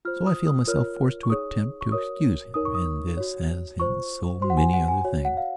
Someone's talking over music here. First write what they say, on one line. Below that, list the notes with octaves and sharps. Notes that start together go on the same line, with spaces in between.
So I feel myself forced to attempt to excuse him in this as in so many other things.
F4 C5 F6
D#6
D#6
F4 A#4 C#5 F6
C#6
D#4 G#4 C#5 D#6
C#6
F#4 A#4 C#5 D#6
D#4 A#4 C#5 D#6
C#6
D#6
F#4 C#5
F4 C5 C#6
F#4 C5 C6
F#5
G#5
F#5
G#5
F#4 C#5
F#5
F5